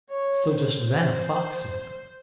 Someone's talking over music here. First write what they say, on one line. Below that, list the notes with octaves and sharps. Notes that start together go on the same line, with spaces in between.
So just then a Fox met him.
C#5
C5
C5